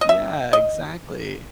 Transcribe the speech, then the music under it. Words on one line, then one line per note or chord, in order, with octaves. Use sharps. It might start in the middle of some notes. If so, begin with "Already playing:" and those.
yeah, exactly.
D#5
E5
D#5